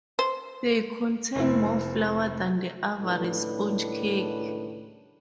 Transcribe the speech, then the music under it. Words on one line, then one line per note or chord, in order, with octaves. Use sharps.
They contain more flour than the average sponge cake.
C5
F1 A3 C4 E4
C#2 A2 D#3 D4 B4